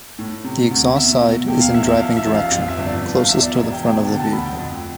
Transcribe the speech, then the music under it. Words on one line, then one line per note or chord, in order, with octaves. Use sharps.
The exhaust side is in driving direction, closest to the front of the vehicle.
A2
C3
D2
B2 E5
B2
E2 G5
F5
E2 E5
E5
F3 F5
E5
A1
F5
F2 F5
E5
G1
D5
F3
F5
E2 E5
D5
E1 E5
G5
E2
G5
D3 A5
G5
A5
D2 B5
G5
F2